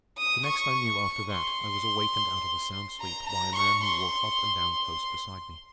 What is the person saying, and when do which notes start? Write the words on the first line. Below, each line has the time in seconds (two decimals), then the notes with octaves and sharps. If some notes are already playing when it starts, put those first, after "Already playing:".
The next I knew after that I was awakened out of a sound sleep by a man who walked up and down close beside me.
0.18 D#6
0.47 C#6
1.31 C6
3.00 A#5
3.27 A#5
3.56 C#6
3.84 C6